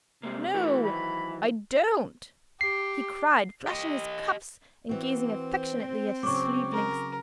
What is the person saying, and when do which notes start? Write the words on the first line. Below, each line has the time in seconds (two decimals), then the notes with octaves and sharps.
'No, I don't,' he cried, flashing his cuffs and gazing affectionately at his sleeve-links.
0.23 C3 G3 G#3 A#3
0.54 E3 A3 F#4 A#4
0.84 D#3 F#3 B5
2.61 G4 C7
3.67 G4 D#5
4.89 E3 C4 F#4
6.23 C#3 F#3 C#6 D6
6.73 A#4